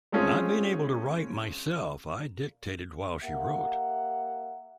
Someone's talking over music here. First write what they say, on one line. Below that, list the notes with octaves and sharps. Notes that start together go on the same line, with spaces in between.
Not being able to write myself, I dictated while she wrote.
G#3 A3 C4 C#4 F4 G#4
A#3 G4 E5 F#5